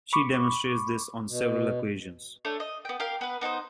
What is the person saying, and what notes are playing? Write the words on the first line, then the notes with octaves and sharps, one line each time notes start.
She demonstrates this on several occasions.
B5 C#6 D6
B2
A3 D4 C#5
D#5
B3 G5
G4 A#4 F5
B3 B4
B3 D#4 A4 C5